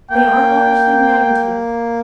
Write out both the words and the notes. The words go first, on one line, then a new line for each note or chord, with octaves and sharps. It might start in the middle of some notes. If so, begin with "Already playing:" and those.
They are largely negative.
A#3 G5